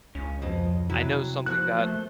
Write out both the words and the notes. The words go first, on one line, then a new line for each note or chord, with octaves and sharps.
I know something that
C#2 C#4
F2 B2 F3 D#5
C3 F#3 E4
F3 A#3 F#4 F#6
A3 C5